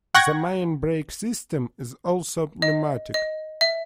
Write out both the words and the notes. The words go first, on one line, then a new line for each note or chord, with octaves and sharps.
The main brake system is also pneumatic.
F#5 G5 C#6 F#6 G#6 A#6
D#5
D#5
E5